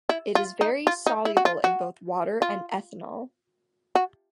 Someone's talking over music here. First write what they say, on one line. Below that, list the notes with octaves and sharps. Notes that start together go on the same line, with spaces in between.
It is very soluble in both water and ethanol.
E4
F4
D#4
F4
D#4
E4
F#4
F4
F#4
F4
F#4